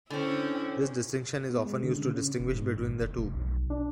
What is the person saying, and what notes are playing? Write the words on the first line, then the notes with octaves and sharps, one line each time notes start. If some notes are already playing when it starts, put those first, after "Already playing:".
This distinction is often used to distinguish between the two.
D3 C4 C#4 E4
B3
G#3
D3
C#3
C#3
E1
G#2
G#1
F#1
F1
B1
D4